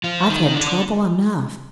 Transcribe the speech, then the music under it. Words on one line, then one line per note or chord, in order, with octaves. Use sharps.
I've had trouble enough.
F3 F4
D#3 D#4
D3 D4